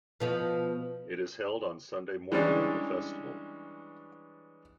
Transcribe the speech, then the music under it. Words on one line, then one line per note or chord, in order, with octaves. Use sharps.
It is held on Sunday morning of the Festival.
B2 F3 B3
E3 G3 G#3 C#4 D4